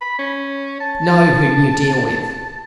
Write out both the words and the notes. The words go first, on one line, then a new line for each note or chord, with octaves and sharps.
Know whom you deal with.
B5
C#4
A5